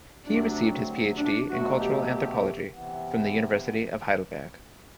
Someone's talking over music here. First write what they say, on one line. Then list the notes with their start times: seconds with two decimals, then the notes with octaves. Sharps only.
He received his PhD in cultural anthropology from the University of Heidelberg.
0.24 D2 C3 F#3 D4
1.17 D4
1.48 B2 F#3 A3 F#4
1.80 G4
2.10 G4
2.72 C3 E3 B3